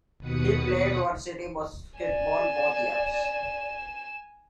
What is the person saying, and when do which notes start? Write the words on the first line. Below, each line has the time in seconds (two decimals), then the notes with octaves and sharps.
He played varsity basketball both years.
0.19 D#2 B2 B4 D#6 C#7
2.00 D5 G#5 E7